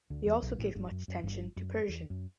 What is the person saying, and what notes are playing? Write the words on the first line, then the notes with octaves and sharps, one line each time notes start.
He also gave much attention to Persian.
D2 D3
E2 E3
B1 B2
A1 A2
G1 G2
F#2
F#2
G1 G2
F#2
E2
F#2